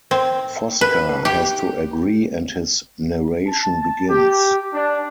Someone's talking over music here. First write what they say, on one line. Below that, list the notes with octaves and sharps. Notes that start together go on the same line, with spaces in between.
Fosca has to agree and his narration begins.
C4
B4
G4
A5
G4
D4